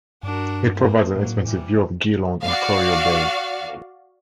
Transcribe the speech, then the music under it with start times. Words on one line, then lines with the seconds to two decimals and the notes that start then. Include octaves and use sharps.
It provides an expansive view of Geelong and Corio Bay.
0.23 G2 D4 F#4 A#4
0.76 A3 A#3 C4
1.16 A2 F#3 A#3
1.45 C3 E3 G3
2.43 F#4 D5 F5